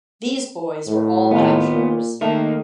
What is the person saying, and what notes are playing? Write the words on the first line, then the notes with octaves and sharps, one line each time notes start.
These boys were all bachelors.
A2
D#2 B3 F4
A#2
D#3 A3 A#3 D#4 A#4